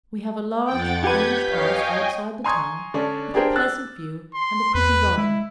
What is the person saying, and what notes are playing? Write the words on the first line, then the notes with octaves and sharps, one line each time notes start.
We have a large furnished house outside the town, with a pleasant view and a pretty garden.
F2 F#5 G5 A6
G4 B4 F#5 G6 G#6 B6
C#5 D#5 F5 G5 G#5
G#5 A#5 C6 C#6 D#6 G#6
D3 C#4 D4
D4 G4 G#4 A#4 C5
E6 F#6 A6
C6
E2 B4
G#3 E4